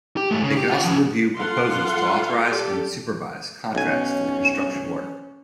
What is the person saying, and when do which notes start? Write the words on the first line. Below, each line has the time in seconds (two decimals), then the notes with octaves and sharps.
They can also review proposals to authorize and supervise contracts for the construction work.
0.17 G4
0.31 G#2 A3
0.44 C#3
0.57 G4
0.71 F4 F#5
0.84 F3 C#4
1.37 F4 A4 F5 F#5 C6
2.48 G4 A4 D5
3.75 B1 C#4 G#5